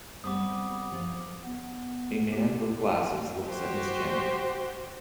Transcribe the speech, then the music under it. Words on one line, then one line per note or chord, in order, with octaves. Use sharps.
A man with glasses looks at his camera.
G3 B3 C4 D6 D#6
F3 F4
B3
G4
F#4 G4 C5